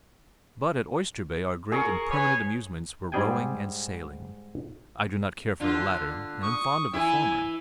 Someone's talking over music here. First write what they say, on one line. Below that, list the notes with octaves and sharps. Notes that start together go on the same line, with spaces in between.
But at Oyster Bay our great and permanent amusements were rowing and sailing; I do not care for the latter, and am fond of the former.
G#4 A#4 C#6
B4 C#5 G#5
G#2 G3 G#4 G5 G#5
D3 F4
C#6 D#6
E3 E4 G#5